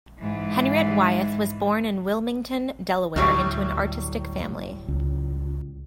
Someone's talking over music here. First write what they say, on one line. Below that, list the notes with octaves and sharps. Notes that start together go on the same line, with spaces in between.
Henriette Wyeth was born in Wilmington, Delaware, into an artistic family.
G#2 E3
D2 A2 F#3 G3
C#2